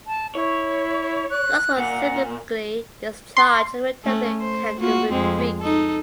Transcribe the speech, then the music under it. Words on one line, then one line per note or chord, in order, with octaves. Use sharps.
Coutts was subsequently discharged and returned to Kangaroo Creek.
A5
E4 C#5
F#6
A#2 F#5
C6
A3 C#4
C5
A#3 F4 F#4
F2 G#3 C4
D#4 A4